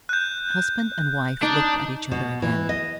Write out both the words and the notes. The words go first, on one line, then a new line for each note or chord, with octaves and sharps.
Husband and wife looked at each other again.
F#6 G6
D4 D#4
B2
E3
D#5